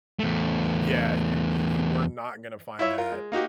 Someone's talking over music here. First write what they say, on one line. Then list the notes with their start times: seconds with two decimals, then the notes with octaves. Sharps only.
yeah, you you were not gonna find that
0.19 E2 A3
2.79 E4 F4 C#5 E5
2.98 F4 A#4
3.12 G#3
3.32 A#3 D#4 F#4 G4